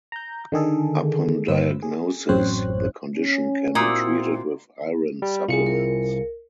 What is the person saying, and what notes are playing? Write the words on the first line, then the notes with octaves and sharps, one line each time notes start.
Upon diagnosis, the condition can be treated with iron supplements.
A#5 G6
D3 D#3 G#4 A4
G1 B4 C5 E6
G#4
A1 F#2 C4 C5 C#5 F#6
C#4
A#2 C4 E4 F#4 D#6 E6
G3
C2 F4 G#4 C#7
A#4